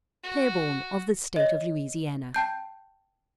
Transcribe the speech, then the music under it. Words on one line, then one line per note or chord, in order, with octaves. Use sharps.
Claiborne of the state of Louisiana.
F#4
C#5 D#5
G5 A5 G6